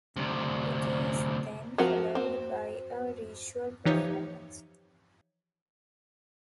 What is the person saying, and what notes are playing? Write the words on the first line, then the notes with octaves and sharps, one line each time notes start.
It is then followed by a ritual performance.
D2 C3
F3 C4 F#4 A#4
C4 F#4
E3 F3 D#4 G4 C#5